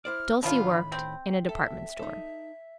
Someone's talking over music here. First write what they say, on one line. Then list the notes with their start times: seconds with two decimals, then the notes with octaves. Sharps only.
Dulcie worked in a department store.
0.05 E4 C5 D5 F6
0.43 A2 D3 D#3 B3 C#4 F4 B5
0.92 C4
1.49 A4 E5
1.99 D#4 A4